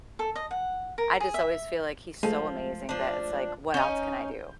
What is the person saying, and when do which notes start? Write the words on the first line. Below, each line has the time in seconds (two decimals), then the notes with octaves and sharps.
I just always feel like he's so amazing that it's, like, what else can I do?
0.19 A4
0.35 D#5
0.51 F#5
0.98 A#4
1.20 G#4
1.34 E5
2.23 F3 G#3 A3
2.89 F3 D4
3.74 C#4 D#4 G6